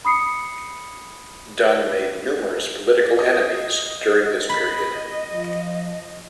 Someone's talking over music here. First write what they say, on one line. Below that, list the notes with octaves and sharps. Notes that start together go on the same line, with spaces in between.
Dunn made numerous political enemies during this period.
B5 D#6 C7 C#7
D#5
D#5 B5
F3